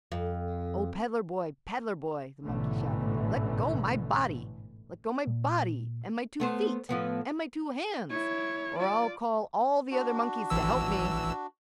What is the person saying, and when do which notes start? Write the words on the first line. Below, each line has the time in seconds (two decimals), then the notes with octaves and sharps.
"O, peddler boy, peddler boy," the monkey shouted, "let go my body! Let go my body and my two feet and my two hands or I'll call all the other monkeys to help me!"
0.12 F2
2.43 A1 G#2 B2 D3 E3 A3
5.27 A#2
6.40 A3 B3 C5
6.89 A2 F3 B3
8.10 E4 C#5
8.78 F4 D5
9.91 D4 F#4
10.50 A1 E3 E6